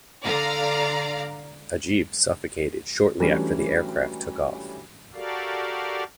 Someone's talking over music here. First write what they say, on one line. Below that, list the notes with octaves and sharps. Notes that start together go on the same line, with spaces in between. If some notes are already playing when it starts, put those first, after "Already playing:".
Ageeb suffocated shortly after the aircraft took off.
D3 D5 F5 A#5
E3 F#3 G3 A3 C#4 D4
F#4 G4 A4 A#4 D5 F5